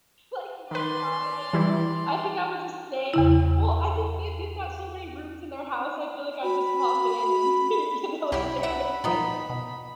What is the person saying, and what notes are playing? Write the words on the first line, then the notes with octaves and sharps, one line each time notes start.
like, nearby them. I think I would just stay Well, I think they've they've got so many rooms in their house, I feel like I'd just pop in and, y you know, stay with them.
D#3 B4 D5 C6
E3 G3 E4
E2 C#3 E4
F#4 B5
C2 F#3 E4 G4 B5 F6
E4 E5 F#5
A#2 D#3 F3 B3 D#4
B2